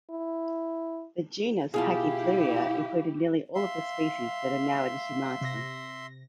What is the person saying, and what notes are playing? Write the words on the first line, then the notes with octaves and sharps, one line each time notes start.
The genus "Pachypleuria" included nearly all of the species that are now in "Humata".
E4
B2 E4 F4 G4 G#4 F5 A5
E5 F5 C6
C3 A#6